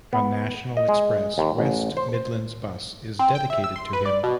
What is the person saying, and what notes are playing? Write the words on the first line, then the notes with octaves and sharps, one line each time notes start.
A National Express West Midlands bus is dedicated to him.
B3
D#5
G#3
D#2
A1
C5
C5
C4
G5
E5
E6
C6
B4
D5
B2